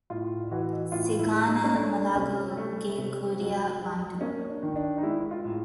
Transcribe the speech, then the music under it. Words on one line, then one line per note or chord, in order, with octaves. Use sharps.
Sighana malagho ghe ghoria w'andu.
A2 F4
E3 F#4
A2 F4
E4
G#3
D#4
C#4
A3 D4
C3 C#4
A3
C3
F#3
F#3
A#3 C#4
D4
D#3
D4
D#4
G#3 E4
F4
A2